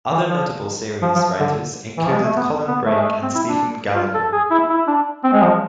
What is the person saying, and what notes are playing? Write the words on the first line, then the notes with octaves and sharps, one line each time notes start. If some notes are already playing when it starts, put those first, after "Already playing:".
Other notable series writers included Colin Brake and Stephen Gallagher.
E3
F3
F3
F3
D3
E3
F3
G#3
A3
B3
B3
A3
G#3
A3
C4
E4
D4
F4
A4
G#4
E4
E4
D4
C4
G#3
F3